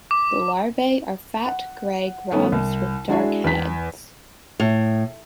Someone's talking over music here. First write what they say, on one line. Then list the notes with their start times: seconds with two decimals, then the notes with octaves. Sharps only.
The larvae are fat gray grubs with dark heads.
0.11 D6
1.46 F#5
2.31 G2 D#3 A3 B3 C#4
2.52 C2
3.09 G#3 D4 E4 F#4 G#4 E5
3.44 E2 B6
4.60 A2